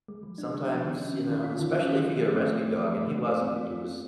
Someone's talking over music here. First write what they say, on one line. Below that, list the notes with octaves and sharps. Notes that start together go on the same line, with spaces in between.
sometimes, you know especially if you get a rescue dog, and he wasn't. He was
G#3
F3
D4
D4
F3
D#3
C#4
C#4
D#3
F4
D#3
C#4
F4
F3
A3
C4
A3
A3
F3
A3
A3
C5
C4
F4
F4
C4